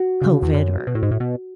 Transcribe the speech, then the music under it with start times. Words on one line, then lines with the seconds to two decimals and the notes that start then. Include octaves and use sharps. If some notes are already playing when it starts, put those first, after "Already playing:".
COVID or,
Already playing: F#4
0.22 C#3
0.43 E2
0.54 F#2
0.87 B2
0.95 A2
1.03 G#2
1.11 A2
1.20 B2